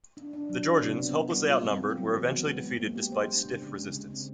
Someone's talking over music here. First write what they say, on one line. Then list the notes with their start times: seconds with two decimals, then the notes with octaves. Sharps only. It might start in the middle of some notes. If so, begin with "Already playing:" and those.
The Georgians, hopelessly outnumbered, were eventually defeated despite stiff resistance.
0.17 D4
0.33 D4
0.49 F#3
0.67 D4
0.83 C3
0.99 B3
1.15 B3
1.32 G3
1.48 F4
1.65 C4
1.81 C4
1.97 F#3
2.14 E3
2.30 B3
2.46 G#3
2.64 G#3
2.80 A#3
2.96 G4
3.12 C5
3.28 D4
3.45 C#3
3.62 C#3
3.78 G#3
3.95 C#3
4.10 C4